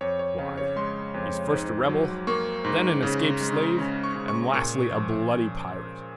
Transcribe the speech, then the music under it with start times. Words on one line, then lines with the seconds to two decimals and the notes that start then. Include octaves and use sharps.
Why, he's first a rebel, then an escaped slave, and lastly a bloody pirate.
0.01 F2 C#5
0.19 C#5
0.38 C#3 F5
0.57 C#5
0.76 G#3 C6
1.14 F2
1.52 G#2
1.89 F#3
2.27 A#3 C#6
2.64 G#2
3.02 C#3
3.40 G#3
3.78 C#4
4.04 C#6
4.15 C#3
4.28 C#6
4.53 A#2 C#6
4.91 F3